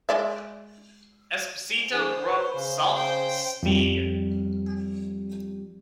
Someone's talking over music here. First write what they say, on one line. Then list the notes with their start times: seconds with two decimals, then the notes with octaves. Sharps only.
Esposito grew up Sault Ste.
0.09 G#3 D5 E5
1.92 E3 D4 G#4 C5
2.24 B4
2.55 C#3
2.93 C5 G5
3.63 F2 G3